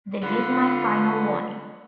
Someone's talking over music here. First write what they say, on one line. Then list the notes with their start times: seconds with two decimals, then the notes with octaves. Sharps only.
This is my final warning!
0.23 D3 F4 B4 F#5